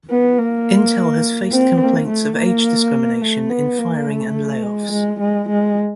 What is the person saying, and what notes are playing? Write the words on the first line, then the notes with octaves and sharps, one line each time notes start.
Intel has faced complaints of age discrimination in firing and layoffs.
B3
A#3
C4
A#3
A3
A#3
A3
B3
A#3
A3
G#3
G#3
G#3
G#3